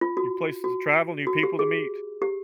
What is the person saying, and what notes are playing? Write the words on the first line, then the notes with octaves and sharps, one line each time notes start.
new places to travel, new people to meet.
F4
F#4
F#4
F#4
G4
G#4
G4